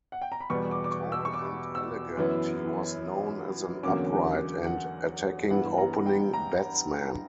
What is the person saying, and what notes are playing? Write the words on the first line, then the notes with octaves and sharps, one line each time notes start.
Tall and elegant, he was known as an upright and attacking opening batsman.
F#5
G5
A#5
B5
E2 B2 G3 B3 C#6
D6
D6
C#6
E6
C#6
D6
E6
F#2 E3 B3
E2 D3 F#3 A#3 C#4 D6
F#5
G2 E3 B3 F#5
A#5
G5
A#5